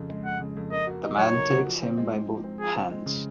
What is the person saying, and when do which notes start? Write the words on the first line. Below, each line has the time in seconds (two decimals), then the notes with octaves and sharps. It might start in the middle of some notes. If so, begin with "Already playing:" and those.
The man takes him by both hands.
Already playing: F2 C#3
0.10 G#3
0.25 F2 F#5
0.40 C#3
0.57 F2
0.71 A#3 D#5
0.87 F#4
1.03 D#4
1.18 F#3 C#5
1.34 A#3
1.50 F#4
1.65 F3
1.82 C4
1.98 G#3
2.12 G#2
2.28 F3
2.44 C4
2.60 F3 G#4
2.75 C4
2.91 G#3
3.06 C#3